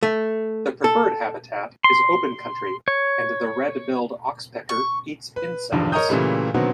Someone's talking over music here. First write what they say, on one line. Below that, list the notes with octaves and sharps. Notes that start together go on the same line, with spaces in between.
The preferred habitat is open country, and the red-billed oxpecker eats insects.
A3
A4
C6
C#5
C#6
B4
B1 E2 G2 D3 F3
A#4 C#5 D#5 A#5 D#6 G6
A#2 C#3 E3 G3 A3
B2 D3 D#3 F#3 B3 C4